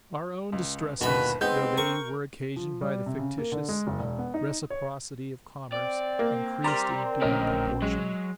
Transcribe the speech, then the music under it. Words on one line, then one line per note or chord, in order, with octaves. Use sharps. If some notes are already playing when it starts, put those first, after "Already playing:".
Our own distresses, though they were occasioned by the fictitious reciprocity of commerce, encreased in due proportion.
C#2
G1 D#2 B2 B4 B5
G#3 B3 C4 D#4 G6
A#4 C#6
F3
G3
C3
C#3
A#3
D3
G#3
F#1
E1
B3
D#4
C#5
C4 D5
A#3
G3 A#4 D5 A#5 C6
A#1 A2 D3 C#4 A#4 D#5
F#3 G#3